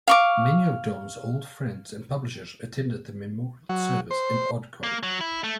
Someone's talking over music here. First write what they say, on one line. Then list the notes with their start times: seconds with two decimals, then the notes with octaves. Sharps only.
Many of Dom's old friends and publishers attended the memorial service in Odcombe.
0.08 F5 C#6 D6
3.69 F#3
4.11 C5
4.83 A#3
5.03 F#3
5.21 E4
5.44 A3